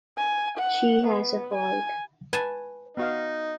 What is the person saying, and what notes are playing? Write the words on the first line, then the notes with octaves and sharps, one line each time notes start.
She has a fault.
G#5
F#5
B3
G#5
B4 G#5 A5
B3 D#4 F#4 F5